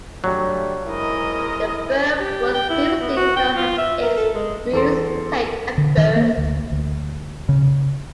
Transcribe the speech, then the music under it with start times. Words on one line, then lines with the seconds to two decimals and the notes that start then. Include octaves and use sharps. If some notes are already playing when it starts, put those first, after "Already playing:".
The firm was previously known as Hicks, Muse, Tate and Furst.
0.24 D3 F#3 G3 A3
0.86 G#2 E4 A#4 D#5
2.20 G4
2.54 G5
2.70 E4
3.01 B3
3.17 F#4
3.36 G5
3.56 F4
3.78 E5
4.02 A#4
4.17 A4
4.34 G#3
4.73 E2 A4 C6
5.78 D3
5.97 D#3
6.16 A#3
6.38 D2
6.72 D2
7.49 C#3